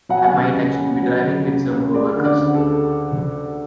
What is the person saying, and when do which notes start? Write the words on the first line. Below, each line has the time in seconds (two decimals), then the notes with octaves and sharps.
I might actually be driving with some coworkers.
0.09 F#3 F#5
0.17 G#5
0.24 F#5
0.33 C#3
0.56 C#2
0.78 C#2
1.02 F#3
1.25 C#3
1.47 C#2
1.71 C#2
1.93 G#3 D5
2.17 D3
2.24 D5
2.39 D2
2.54 A4